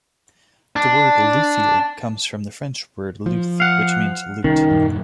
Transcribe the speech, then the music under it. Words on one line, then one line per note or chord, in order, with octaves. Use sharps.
The word "luthier" comes from the French word "luth", which means lute.
D4
F3
F5 F#5
C2 D#3 C#4
D#1 F#2